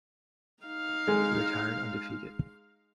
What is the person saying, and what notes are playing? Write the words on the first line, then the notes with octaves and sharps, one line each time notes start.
He retired undefeated.
D#4 F5
G#3